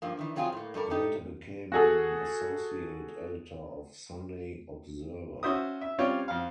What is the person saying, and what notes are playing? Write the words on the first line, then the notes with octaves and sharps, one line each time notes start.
He later became an associate editor of "Sunday Observer".
G2 F3 A#3
D#3 E3
F3 F#3 C4 F4 F#4 G#4
A2 A#3
G2 G3 A4 A#4
D#4 G4 A4
F#4 G#4 A4
C#4 F#4 C5 E5 D#6
E5
G3 C4 C#4 F4 C#5 D5
F2 F5